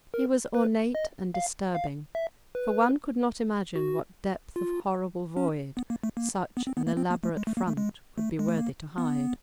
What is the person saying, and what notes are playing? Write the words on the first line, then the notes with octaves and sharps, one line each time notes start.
He was ornate and disturbing, for one could not imagine what depth of horrible void such an elaborate front could be worthy to hide.
A#4
B4
D#5
F5
F5
E5
B4
F#4
F4
C#4
B3
A#3
A3
A#3
B3
C4
B3
A#3
C4
A#3
A3
G#3
A3
A#3
A3
G#3
A3
G#3
A3
A#3
B3